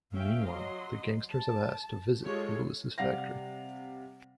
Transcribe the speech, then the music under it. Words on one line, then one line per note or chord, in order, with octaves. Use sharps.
Meanwhile, the gangsters have asked to visit Louis's factory.
C#4 E5 F5 G5
F#3 D#5 C6
A5
G#3 F4 G4 A4 C#5
C3 G3 F5 F#5 A#6